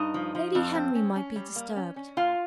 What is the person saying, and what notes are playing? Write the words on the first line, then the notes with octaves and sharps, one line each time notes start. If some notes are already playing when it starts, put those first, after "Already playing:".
"Lady Henry might be disturbed."
Already playing: G2 D#4 D#5
F3
F3
F2
C4
C#4
C#4
G3
A#3
C#4
C#4
A#2 F4 F5